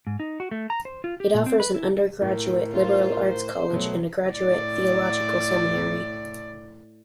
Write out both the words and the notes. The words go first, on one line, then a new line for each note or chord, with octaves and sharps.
It offers an undergraduate liberal arts college and a graduate theological seminary.
G#2
D#4
F#4
A3
A#5
C5
F4
G4
A#2
C4
B4
E4
A2 A#4
F4 C5 C#5
C5
B2 F#3 A3
A2 D5